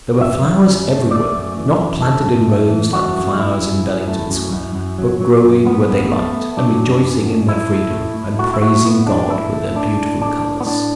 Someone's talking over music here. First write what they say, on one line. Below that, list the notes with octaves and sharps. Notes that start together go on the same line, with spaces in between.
There were flowers everywhere, not planted in rows like the flowers in Bellington Square, but growing where they liked, and rejoicing in their freedom and praising God with their beautiful colours.
F#2 E5
F#2
F#2
A3
A3 D5
F#2
E3
F#2
F#2 A4
F#2
A3
E3
A3 F#4
F#2
F#2 E4
F#2
F#2
A3
F#2
F#2
F#2
F#3
F#3
F#2
F#2 B3
F#2
A3
A3
F#3 D4
F#2
F#2
F#2
A2 E4
A3
A2
A2
A3 F#4
E4
A3 F#4
A2 B3
A3 D4
D4
A2 E4
A3
A2 D4
A2
A2 D4
A2
B3
A2 D4